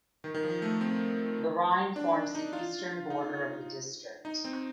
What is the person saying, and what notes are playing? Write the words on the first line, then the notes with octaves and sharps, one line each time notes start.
The Rhine forms the eastern border of the district.
D#3
D#3
F3
A3
C4
D4
D#4
F4
D#4
D#4
C4